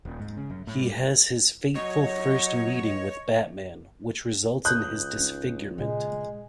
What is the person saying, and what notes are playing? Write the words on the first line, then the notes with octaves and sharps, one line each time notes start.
He has his fateful first meeting with Batman, which results in his disfigurement.
D#1
G#2
C#3
F#2
A2
G3
F#3 C#5 D#5
C#2 D#6 F#6 G6
C#4 D#4
A#2 C#3 G#3